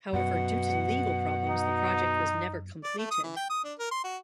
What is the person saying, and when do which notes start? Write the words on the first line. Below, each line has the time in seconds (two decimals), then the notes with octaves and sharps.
However, due to legal problems the project was never completed.
0.13 F#2 B2 F#5
1.49 D#4
2.84 D5
2.98 A3
3.11 D#6
3.23 E3
3.37 G5
3.50 D#6
3.64 D4
3.79 A#4
3.91 C6
4.04 F#4